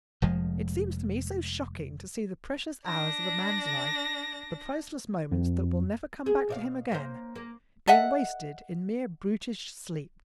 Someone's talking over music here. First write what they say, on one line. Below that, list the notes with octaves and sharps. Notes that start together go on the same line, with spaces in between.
It seems to me so shocking to see the precious hours of a man's life--the priceless moments that will never come back to him again--being wasted in mere brutish sleep.
F1 F2 F3 G#3
D4 A#6
F2
G#4
B2 D5 F5
A#3 C5
A#3
A4 D#5 E5 F#5